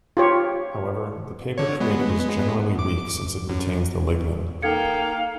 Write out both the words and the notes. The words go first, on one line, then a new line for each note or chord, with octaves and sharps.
However, the paper created is generally weak since it retains the lignin.
F4 G4 C#5
D3 C#5
G#3 B3
D6
F#2
A#3 D#4 A4 F5 G5 G#6 C#7